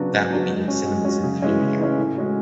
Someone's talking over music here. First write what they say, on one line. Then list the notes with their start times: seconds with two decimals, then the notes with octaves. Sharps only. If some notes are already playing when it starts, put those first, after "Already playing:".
That will be in cinemas in the new year.
Already playing: C#3 F#3 B3 D4 F#4
0.12 C#3
0.30 F#3 B3 D4 F#4
0.49 G#3
0.68 C#4 F#4
0.86 G#3
1.05 C#4 F#4
1.23 C#3
1.42 E3 G#3 C#4
1.61 C#3
1.80 E3 G#3 C#4
1.98 A2
2.17 G#3 C#4 F#4